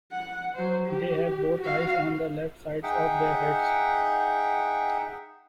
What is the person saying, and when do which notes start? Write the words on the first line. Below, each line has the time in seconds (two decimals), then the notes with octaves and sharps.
They have both eyes on the left sides of their heads.
0.12 F#5
0.56 F#3 C5
0.86 G4
1.61 F#4 F5
2.83 D#4 G#4 E5 F#5 G5